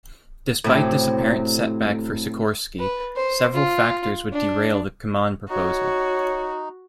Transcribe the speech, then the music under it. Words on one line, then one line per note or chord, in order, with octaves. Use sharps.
Despite this apparent setback for Sikorsky, several factors would derail the Kaman proposal.
A2 C3 F#3
B4
C5
F4
D4
D#4 F#4 C#5